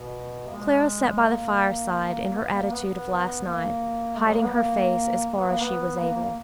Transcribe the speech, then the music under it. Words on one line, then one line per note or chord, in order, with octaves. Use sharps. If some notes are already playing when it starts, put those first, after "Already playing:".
Clara sat by the fireside, in her attitude of last night, hiding her face as far as she was able.
Already playing: B2
A#3
G#3
A#3
B3
A#3
B3
B3
A#3
G#3
F#3
A#3
B3
A#3
B3
A#3
B3
A#3
A#3